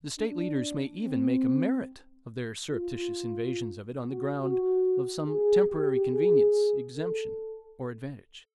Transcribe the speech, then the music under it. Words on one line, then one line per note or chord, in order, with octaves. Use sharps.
The State leaders may even make a merit of their surreptitious invasions of it on the ground of some temporary convenience, exemption, or advantage.
D4
C4
F4
F#4
F#4
G#4
G4
G#4
A4